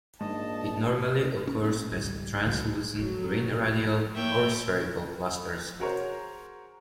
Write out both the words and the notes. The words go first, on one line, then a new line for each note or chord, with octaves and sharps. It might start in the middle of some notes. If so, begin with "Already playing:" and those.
It normally occurs as translucent green radial or spherical clusters.
A#1 G#2 D#5 A5
C#4
A#2 G#3
G#1 C#2 G#2 G3
C#2 D3 F#3 G#3
F3 F#3 A4
A#3 C#5 E5 G5
F#4 G#4 A#4 C5 C#5